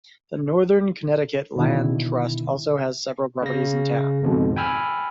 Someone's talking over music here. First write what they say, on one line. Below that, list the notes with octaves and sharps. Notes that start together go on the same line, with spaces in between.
The Northern Connecticut Land Trust also has several properties in town.
B2 D3 D#3 E4
C#3 A#6
G#1 F2 G#2 B2
G5 G#5 B5 E6 F6